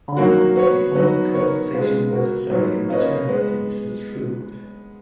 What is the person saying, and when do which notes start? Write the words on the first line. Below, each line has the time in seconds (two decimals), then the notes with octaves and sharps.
Often, the only compensation necessary in return for these is food.
0.17 D#3 F#3 A#3 C#4 F#4
0.56 B3 F#4 C#5
0.95 F#3 B3 D#4 F#4
1.34 B3 D#4 A#4 C#5
1.72 C#3 G#3 B3 F4 B4
2.11 B3 F#4 A#4
2.50 A#2 F#3 B3 D#4
2.89 A#3 C#4 F4 B4 D#5
3.27 G#3 B3